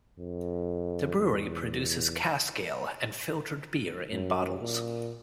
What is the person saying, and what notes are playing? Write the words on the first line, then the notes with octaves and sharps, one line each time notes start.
The brewery produces cask ale and filtered beer in bottles.
F2
E2
F#2
A#2